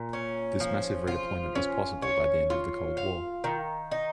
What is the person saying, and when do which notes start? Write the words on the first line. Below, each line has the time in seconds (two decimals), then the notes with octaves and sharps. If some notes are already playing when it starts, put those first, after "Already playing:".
This massive redeployment was possible by the end of the Cold War.
Already playing: A#2
0.13 C#4
0.60 F3
1.07 F4
1.55 C#4
2.02 C#5
2.50 F4
2.97 F5
3.44 D#3
3.91 D#4